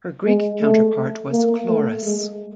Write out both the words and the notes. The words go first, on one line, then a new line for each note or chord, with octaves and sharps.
Her Greek counterpart was Chloris.
G#3
A3
A#3
A3
G#3